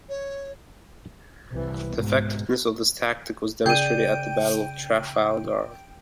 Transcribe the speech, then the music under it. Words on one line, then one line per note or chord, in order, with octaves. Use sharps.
The effectiveness of this tactic was demonstrated at the Battle of Trafalgar.
C#5
C2 E3
G#2 B2
C#3 G#4 D5 G5 G6 D#7